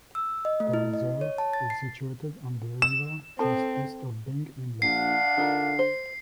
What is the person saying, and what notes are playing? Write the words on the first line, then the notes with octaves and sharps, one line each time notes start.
The Reserve is situated on the river just east of Byng Inlet.
E6
D#5
A3
E4
D#5
C#5
A5
A6
C7
E6 E7
C4 A4 A5
A#1 D4 F5 F#5 C7
D3 D#4 F4 A#4
C5